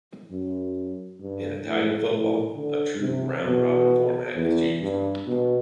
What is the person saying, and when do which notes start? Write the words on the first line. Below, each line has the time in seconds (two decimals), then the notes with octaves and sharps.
In Italian football, a true round-robin format is used.
0.30 F#2
1.21 G2
1.65 A2
2.10 A2
2.56 D3
3.00 C3
3.46 B2
4.36 E2
4.81 G2
5.27 B2